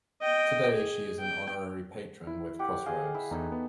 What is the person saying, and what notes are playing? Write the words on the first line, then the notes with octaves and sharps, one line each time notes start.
Today she is an honorary patron with Crossroads.
D#5 G5
G#4
G5
E4
G4 F#5
G#4 D#5 F5
E4
E2 D#4 A4
B3